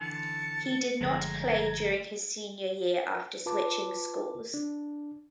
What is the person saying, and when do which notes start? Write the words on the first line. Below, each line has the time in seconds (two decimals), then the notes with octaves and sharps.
He did not play during his senior year after switching schools.
0.01 D3 E3 A5 C#7
1.01 F#1 D3 F3 G#3 A3 A#5 G#6
3.46 F4 B4 A5 D6
4.54 D4